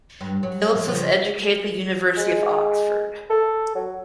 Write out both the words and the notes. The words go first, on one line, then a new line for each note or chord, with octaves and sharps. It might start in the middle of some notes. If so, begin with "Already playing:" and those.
Phillips was educated at the University of Oxford.
G2
F#3
F3
C#3 F3
G#3
A4
F#3